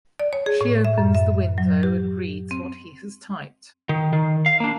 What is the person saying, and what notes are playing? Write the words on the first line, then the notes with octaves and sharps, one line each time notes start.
She opens the window and reads what he has typed.
D5
C#5
G#4
A2
E5
F#2
E5
F#3
G4
C4
D#3
D#3
F5
A#3 D4